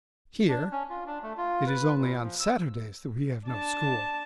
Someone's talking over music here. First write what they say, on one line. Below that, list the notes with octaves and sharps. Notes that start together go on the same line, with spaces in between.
Here, it is only on Saturdays that we have no school.
D4
C#4
F4
D4
A3
F4
B4
A#2
F3
E6
D4 A5